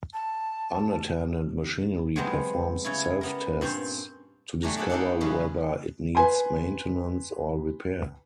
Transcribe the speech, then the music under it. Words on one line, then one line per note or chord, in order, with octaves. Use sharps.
Unattended machinery performs self-tests to discover whether it needs maintenance or repair.
A5
C3 F#3 G#3 B3 C4
C#3 C#4 E4
G3 B3 A#4
G2 A#2 C4 C#4 C5
F#3 G3 A3 D4 G#5 A#5
A#3 D4 G#4 E5 F#5
A#3 B3 D4 D#4 A4 F#5
F#2 C#3 B3 F#4 G#4
B4 G#5 C6